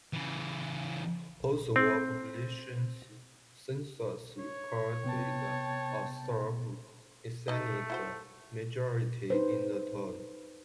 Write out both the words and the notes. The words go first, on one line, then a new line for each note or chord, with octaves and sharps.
Post-war population censuses recorded a Serb ethnic majority in the town.
C#3 E3
C4
C#5
C3 B3 G5 A5
A3 D#4 D#5
E4 F#4 C5
D#4 B4 C5